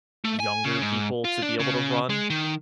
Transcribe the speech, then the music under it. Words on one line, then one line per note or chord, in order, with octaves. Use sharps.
Younger people to be able to run,
A3
G#5
C#3
G#2
F4
D4
C#3
G#3
D#3